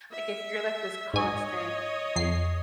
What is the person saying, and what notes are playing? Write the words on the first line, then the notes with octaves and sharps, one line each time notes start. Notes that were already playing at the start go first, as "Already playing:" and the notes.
Like, if you're, like, this constant,
E5
G#2 C#5 D#5 G#5
F2 C7